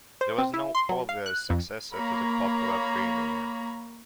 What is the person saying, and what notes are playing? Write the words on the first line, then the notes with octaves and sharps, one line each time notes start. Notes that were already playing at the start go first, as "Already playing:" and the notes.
There was no obvious successor to the popular premier.
C5
C4
E4
C6
F#3
F5
F#6
F2
A#3 C#5 A#5 B5